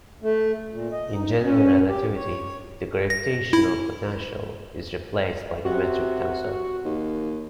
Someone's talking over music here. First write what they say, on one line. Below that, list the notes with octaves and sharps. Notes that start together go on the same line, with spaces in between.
In general relativity, the gravitational potential is replaced by the metric tensor.
A3
A#2
D#5
D#4
C#4
G4
C#5
A#6
E4
C3 F#4
D#2